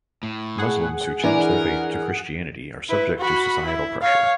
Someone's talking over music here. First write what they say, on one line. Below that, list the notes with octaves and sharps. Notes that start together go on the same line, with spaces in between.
Muslims who change their faith to Christianity, are subject to societal pressure.
A2
G#4 F#5
E3 C#4 D4 A#4 D5
E4 B4
F#4 B5
E4
C#5 F5